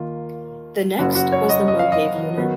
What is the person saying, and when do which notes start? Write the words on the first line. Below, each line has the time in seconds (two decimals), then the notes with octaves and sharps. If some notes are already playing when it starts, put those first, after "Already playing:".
The next was the Mohave unit.
Already playing: D#2 D#3 A#3 F4
0.99 F#1 F#2 C#3 F#4
1.15 F#4
1.32 C#5
1.49 D#5
1.68 D#5
1.79 F5
1.92 D#5
2.37 D#3 F#3 B3